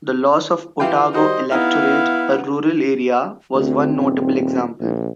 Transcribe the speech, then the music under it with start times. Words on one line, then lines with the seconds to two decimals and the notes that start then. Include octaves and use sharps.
The loss of Otago electorate, a rural area, was one notable example.
0.80 E3 F4 G4 G5
1.14 G3 F#4 C5 D#5
1.52 B3 D#4 E4 F5
3.54 D2 C4
3.96 D#1
4.80 A#1